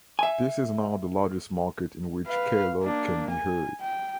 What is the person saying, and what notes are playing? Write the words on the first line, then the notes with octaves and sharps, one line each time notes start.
This is now the largest market in which K-Love can be heard.
E5 G#5
B4 F5
A#3 D4
G#5
G5